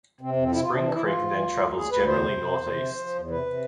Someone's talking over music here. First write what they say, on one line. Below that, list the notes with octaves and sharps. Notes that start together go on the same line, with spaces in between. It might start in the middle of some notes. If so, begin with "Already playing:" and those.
Spring Creek then travels generally northeast.
C3 C4
F2
C4
C3 E4
F4
C3 D4
E3 D4
E4
E3 F4
G#2
E3
D2
D2
D2 G#4
D2 B4
E2 C5
C3
C3
E2
C3
F3
F3
E2
C3 B4
C3